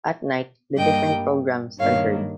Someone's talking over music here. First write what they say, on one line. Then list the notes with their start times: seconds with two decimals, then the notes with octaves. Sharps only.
At night, the different programs are heard.
0.76 G2 G3 A#3 D#5 G5
1.78 G2 D#3 A#3 C#5 F5